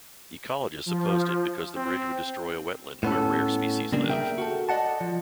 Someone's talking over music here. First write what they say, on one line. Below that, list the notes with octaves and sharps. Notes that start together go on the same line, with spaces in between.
Ecologists opposed it because the bridge would destroy a wetland where rare species live.
F3
C4
A2 B3 C#4 A4
C#3 G3 A#3 D4
G#4 A#4 E5 G5
F#4 A4
D5 D#5 F#5 A5
F3